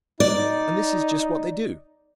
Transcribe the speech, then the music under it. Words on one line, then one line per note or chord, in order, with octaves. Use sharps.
And this is just what they do.
D#4 D5